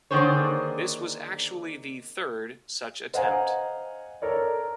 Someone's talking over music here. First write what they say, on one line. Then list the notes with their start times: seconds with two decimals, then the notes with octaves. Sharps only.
This was actually the third such attempt.
0.11 D3 D#3 A#3 G#4 C5 C#5
3.14 C5 D#5 F5 F#5 G#5 A#5
4.22 A4 A#4 C#5 D5